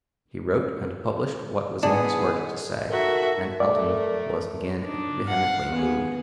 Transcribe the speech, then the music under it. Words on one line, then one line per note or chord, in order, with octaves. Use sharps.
He wrote and published what was in his heart to say, and Alton was again vehemently moved.
G#2 D#3 E3 B3 D4 G#4
D#4 F#4 A4 A#4 E5
A3 A#4 D5
D4 D#4
F5 F#5
B3 G#4